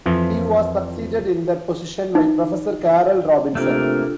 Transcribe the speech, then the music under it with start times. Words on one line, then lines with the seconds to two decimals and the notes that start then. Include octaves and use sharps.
He was succeeded in that position by Professor Carol Robinson.
0.06 F2 E3 F3
2.15 D#4
3.55 C3 A3 A#3 D4 F4 A4 A#4